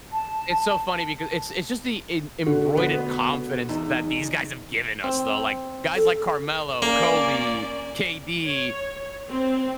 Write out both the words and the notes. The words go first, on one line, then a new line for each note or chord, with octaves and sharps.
It's so funny becau it's it's just the em embroidered confidence that these guys have given us, though, like, guys like Carmelo, Kobe, KD,
A5
D3 F#4
B3
E2 D#4
C4
A4
A#3 C#4 D5
C#5
C4